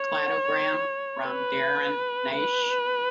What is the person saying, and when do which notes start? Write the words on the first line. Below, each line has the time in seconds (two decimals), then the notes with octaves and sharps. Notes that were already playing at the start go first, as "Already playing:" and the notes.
Cladogram from Darren Naish.
Already playing: C#5
1.25 B4
2.36 B4